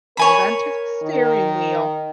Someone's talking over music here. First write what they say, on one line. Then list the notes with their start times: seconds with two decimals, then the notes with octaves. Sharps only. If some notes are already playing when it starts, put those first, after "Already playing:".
hold on to the steering wheel
0.17 A#4 C#5 G#5 B5
1.03 D#3